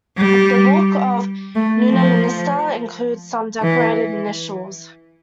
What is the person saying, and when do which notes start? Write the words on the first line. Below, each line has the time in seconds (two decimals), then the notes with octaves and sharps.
The Book of Nunnaminster includes some Decorated initials.
0.17 G3
1.55 A3
1.89 F3
3.62 E3